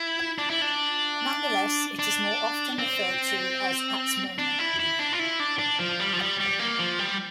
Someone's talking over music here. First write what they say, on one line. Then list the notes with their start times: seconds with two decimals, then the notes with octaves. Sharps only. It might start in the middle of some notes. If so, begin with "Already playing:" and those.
Nonetheless, it is more often referred to as Atzmona.
Already playing: E4
0.38 D4
0.50 E4
0.62 D4
1.99 D4
2.79 C4
4.39 D4
4.59 E4
4.80 E4
4.99 D4
5.13 F4
5.19 E4
5.40 D4
5.59 D4
5.79 F3
6.00 G3
6.13 F3
6.19 G3
6.40 G3
6.59 A#3
6.79 F3
6.99 G3